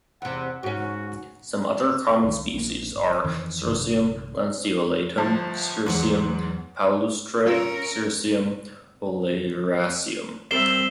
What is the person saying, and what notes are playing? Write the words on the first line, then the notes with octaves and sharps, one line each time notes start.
Some other common species are: "Cirsium lanceolatum, Cirsium palustre, Cirsium oleraceum".
E2 C3 F#5
G#2 C#4 F#4
C2 D#3
A#1 A#3
G1
F2 D#3 E3
A#1 G2 C3 D#3
G1 F3 A5
E2 G#2 F#3 F#5
G2 C#4 F4 A#4 E6
G3 C4 A#4 D5 E5 C7 E7 G7